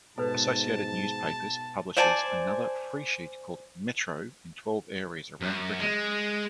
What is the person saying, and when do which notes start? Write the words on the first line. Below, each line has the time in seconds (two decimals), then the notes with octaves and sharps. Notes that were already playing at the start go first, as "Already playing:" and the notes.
Associated Newspapers publishes another freesheet called "Metro" in twelve areas around Britain.
0.18 G#2 B2 A4 B4 A5
1.97 C5 D5 G#5 A5
5.41 F#2
5.80 G#3